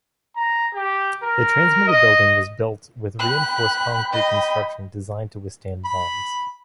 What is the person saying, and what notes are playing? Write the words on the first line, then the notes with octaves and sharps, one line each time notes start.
The transmitter building was built with reinforced concrete construction designed to withstand bombs.
A#5
G4
A#4
D#5
G5 B5 F#6
D#5
B5